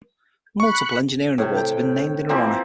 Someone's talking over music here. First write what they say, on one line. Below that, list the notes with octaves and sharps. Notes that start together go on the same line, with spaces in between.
Multiple engineering awards have been named in her honor.
B5 C#6 F#6 C#7
A2 C3
G5
E3 F3 A#3 C4